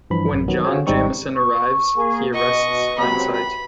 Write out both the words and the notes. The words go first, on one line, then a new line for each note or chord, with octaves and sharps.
When John Jameson arrives, he arrests Hindsight.
G2 E3 F3 B5
A1 F#2
D#3 F#3 B3
F4 F#4 G#4 C5 C#5
G#1 G#2 G3 C4 D#4 C#6
C#6
A#3 G#4
B2 D#5 C#6
B4
C#2 C3 F#3 B5
B5